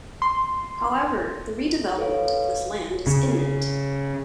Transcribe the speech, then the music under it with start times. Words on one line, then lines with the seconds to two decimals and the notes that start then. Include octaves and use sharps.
However, the redevelopment of this land is imminent.
0.22 C6
1.97 A4 B4 C#5 F5
3.07 C#3